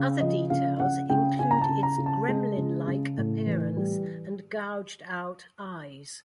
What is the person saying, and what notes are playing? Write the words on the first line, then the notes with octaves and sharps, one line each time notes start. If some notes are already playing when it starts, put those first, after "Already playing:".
Other details include its gremlin-like appearance and gouged out eyes.
Already playing: C#3
F3 D#5
C#3 F5
C#3 F#5
C#3 G5
C#3 G#5
A#5
A5
C#3
A#5
C#3
A5
G#3
C#3
C#3
A2
E3
G3